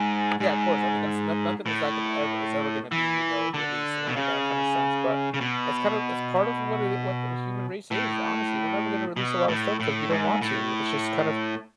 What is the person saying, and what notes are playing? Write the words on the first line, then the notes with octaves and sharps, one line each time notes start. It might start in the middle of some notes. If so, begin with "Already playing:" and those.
Yeah, of course, I mean, that's not nothing is that gonna ever is ever gonna be, you know, released in that in that kinda sense, but it's, kind of it's part of what it what the human race is, honestly, we're never gonna release a lotta stuff 'cause we don't want to, it's just, kind of
Already playing: G#2
G#2
A2
E3
D3
B2
C#3
C#3
B2
A2
B2
A2
A2
G#2
A2